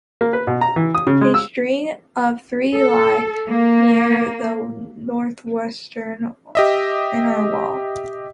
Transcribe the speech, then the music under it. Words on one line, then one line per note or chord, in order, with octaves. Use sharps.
A string of three lie near the northwestern inner wall.
A#3
B4
B2
A#5
E3
D#6
C#3
G#3
E6
A4
A#3
G4 D#5 E5